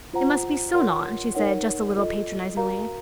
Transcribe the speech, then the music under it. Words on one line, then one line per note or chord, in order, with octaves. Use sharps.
"It must be sewn on," she said, just a little patronisingly.
F4 C5 F#5 A#5
F4 A#4 C#5 F#5 C6
D#4 A#4 C#5 F#5
F4 A4 D#5
F#4 A#4 F5 A#5